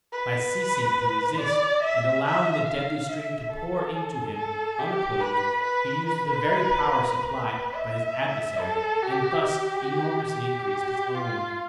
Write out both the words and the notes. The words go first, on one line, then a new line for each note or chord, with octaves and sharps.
By ceasing to resist, and allowing the deadly stream to pour into him unopposed, he used the very power supplied by his adversary and thus enormously increased his own.
B4
D5
E5
E5
F5
E5
A4
A4
G4
B4
B4
B4
B4
E5
A4
G4
G4
G4
F4